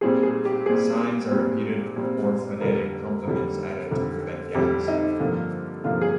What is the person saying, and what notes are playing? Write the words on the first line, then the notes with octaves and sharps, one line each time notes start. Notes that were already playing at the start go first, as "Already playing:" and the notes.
Signs are repeated or phonetic complements added to prevent gaps.
A#2 G3 C4 G#4
G#4
G4
A#2 G3 C4 G#4
A#2 G3 C4
A#2 G3 C4
F2 D3 G3 A#4
F2 D3 G3
F2 D3 G3
F2 D3 G3 G4
D#4
G2 D3 F3 A#3
G2 D3 F3 A#3 F4
G#4